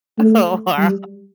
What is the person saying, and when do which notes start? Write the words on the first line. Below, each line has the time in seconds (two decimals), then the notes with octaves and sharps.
Oh, wow.
0.18 A3
0.78 G3